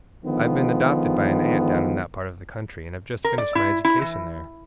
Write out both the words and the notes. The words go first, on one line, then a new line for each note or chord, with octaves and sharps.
I have been adopted by an aunt down in that part of the country, and have just finished my education there.
D3 D#3 F3 G#3 B3
A#4
D5
E4
E4
E3